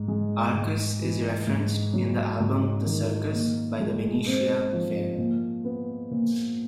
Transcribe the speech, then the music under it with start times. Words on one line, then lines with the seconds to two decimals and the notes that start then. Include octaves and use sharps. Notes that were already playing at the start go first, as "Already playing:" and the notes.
Arcas is referenced in the album "The Circus" by The Venetia Fair.
Already playing: G#2
0.08 G#3
0.54 G#2
1.01 E3
1.47 G#2
1.93 F#3
2.40 G#2
2.86 D#3
3.33 A#2
3.80 G#3
4.27 C4
4.73 F3
5.18 A#2
5.65 B3
6.11 A#2